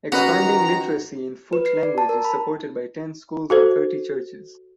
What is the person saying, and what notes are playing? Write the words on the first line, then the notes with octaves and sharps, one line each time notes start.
Expanding Literacy in Fut language is supported by ten schools and thirty churches.
D#3 C#4 F#4 B4 D#5 A#5
B4
C7
D5
A5
A#4
B5
F#4 A4 C5